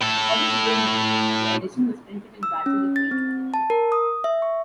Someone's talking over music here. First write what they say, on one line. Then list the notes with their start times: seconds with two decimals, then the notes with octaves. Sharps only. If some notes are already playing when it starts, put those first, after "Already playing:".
According to Gilmour, the edition was printed in batches of eight.
0.01 A2 A4
2.43 E6
2.66 C#4
2.96 A6
3.11 C4
3.54 A5
3.70 A#4
3.92 D#6
4.24 E5
4.42 C#6